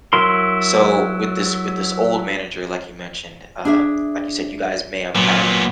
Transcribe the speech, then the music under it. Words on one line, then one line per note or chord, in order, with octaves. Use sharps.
So, with this with this old manager, like you mentioned um, like you said, you guys may have had
F#3 E4 A#4 C6
D4 G#4 E5
A#2 F#3 B3